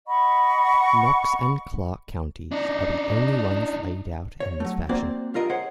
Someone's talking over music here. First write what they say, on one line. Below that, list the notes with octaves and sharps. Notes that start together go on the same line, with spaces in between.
Knox and Clark counties are the only ones laid out in this fashion.
D#5 F#5 B5 C#6
D4 D#4
C#5
F#3 A3
A#3 C4 F#4 C5 D5
G2 F4 A#4 D#5
G#4 C5 C#5 F#5